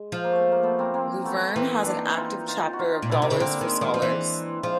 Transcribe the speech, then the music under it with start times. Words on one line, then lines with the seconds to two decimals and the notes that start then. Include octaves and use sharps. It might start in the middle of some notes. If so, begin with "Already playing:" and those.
Luverne has an active chapter of Dollars for Scholars.
Already playing: G#3
0.12 F3
0.24 A#3
0.32 A3
0.52 A#3
0.63 A3 B3
0.79 A#3 C4
0.94 A#3 C4
1.25 A3 B3
1.56 E3 A#3 C4
1.86 D4
1.96 D#4
2.07 E4
2.17 D#4 F4
2.48 D#4 F4
2.73 F#4
2.79 D#4 F4
3.02 A#2
3.09 B2 D4 E4
3.22 C3
3.31 C#3
3.40 D3 A#3 C4
3.61 D#3 G#3
3.81 D#3 G#3
3.94 F3
4.02 E3
4.09 G#3
4.63 F3 G#3